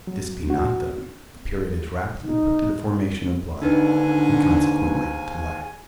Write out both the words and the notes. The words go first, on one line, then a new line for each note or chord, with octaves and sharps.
If this be not done, a period is rapidly put to the formation of blood, and consequently to life.
F#3
F#4
D#4
D#2 G#2 D3 D4 D#4 B4 G#5